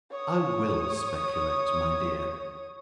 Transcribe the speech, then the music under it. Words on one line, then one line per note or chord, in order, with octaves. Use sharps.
I WILL speculate, my dear.'
C#5 D#6